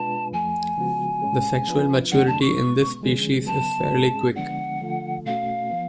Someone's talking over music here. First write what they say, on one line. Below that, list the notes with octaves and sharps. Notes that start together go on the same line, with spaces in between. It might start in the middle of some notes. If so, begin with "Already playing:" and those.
The sexual maturity in this species is fairly quick.
Already playing: B2 G#3 D4 F4 B4 A5
F2 F3 A3 G#5
C#3 F3 G#3 B3 F#4
A2 G#3 C#4 G#4
F3 B3 D4 F4 B4
F2 D3 F#3 A3 D4 F#5
A5
C#6
B2 G#3 B3
D3 F3 G#3 C#4 G#4
C#3 F#3 B3 A5
G#2 G#3 C#4 G#4
D3 F3 G#3 B3 D4 F#5
D3 F3 A3 F4 A4
B2 A3 C#4 F#4 F5
F3 B3